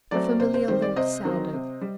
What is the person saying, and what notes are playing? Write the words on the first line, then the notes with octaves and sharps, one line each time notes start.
A familiar lilt sounded.
F#3 A3 C4 D5
C3 C5
C5
D#3 G3 C4 C5
D5
C3 C5 D#5
D#3 F#3 C4
C3
G3